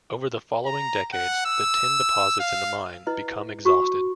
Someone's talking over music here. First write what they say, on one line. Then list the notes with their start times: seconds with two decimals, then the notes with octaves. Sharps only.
Over the following decades, the tin deposits in the mine become exhausted.
0.66 A#5
1.13 F#5
1.45 E6
2.39 F5
3.07 E4 B4 D#5
3.65 F#4 C#6